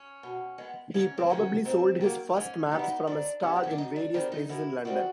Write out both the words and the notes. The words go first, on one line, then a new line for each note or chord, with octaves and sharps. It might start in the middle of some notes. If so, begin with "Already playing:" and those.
He probably sold his first maps from a stall in various places in London.
Already playing: C#4
B2
G#3 B3
G#2 C#4
C4
D#3 F#3 A#3 C#4
G#2 C4
D#3 F#3 A#3
G#2 C#4
E3 G3 B3 D#4
E4
D#4
G#2 D4
E3 G3 B3 C#4
C4
C#4
D4
F#2 D#4
D4
D#3 G3 C4 D4
D#4
F#2 E4
D#3 G3 C4 F#4